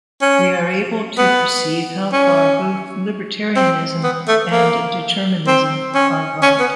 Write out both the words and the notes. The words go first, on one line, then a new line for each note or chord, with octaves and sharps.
We are able to perceive how far both libertarianism and determinism are right.
C#4
B3
C#4
C4
B3
A3
A#3
C4
C#4
C#4
B3